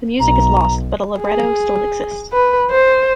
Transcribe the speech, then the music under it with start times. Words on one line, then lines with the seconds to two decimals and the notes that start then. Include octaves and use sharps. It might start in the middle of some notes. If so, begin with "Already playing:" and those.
The music is lost, but a libretto still exists.
0.19 B1 A#5
1.20 G#4
2.33 B4
2.71 C5